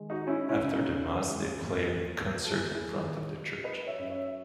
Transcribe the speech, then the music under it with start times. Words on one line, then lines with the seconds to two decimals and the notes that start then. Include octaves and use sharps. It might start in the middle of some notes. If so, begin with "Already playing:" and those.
After the Mass they play a concert in front of the church.
Already playing: D#3 G#3
0.10 D#4 F#4
0.27 C#4 E4
0.49 C#4 E4
0.62 C#3
0.72 D#4
0.94 C#4
1.29 G#3
1.62 E2
1.96 E2
2.30 F#3
2.45 A4
2.52 E4 G#4
2.63 E2
2.74 E4 G#4
2.97 D#3
3.31 F#3
3.64 F#3 B4 D#5
3.87 C#5 E5
3.98 F#2
4.10 C#5 E5